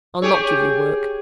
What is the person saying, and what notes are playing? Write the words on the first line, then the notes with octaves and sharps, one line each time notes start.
I'll not give you work.
G4 G#4 C#5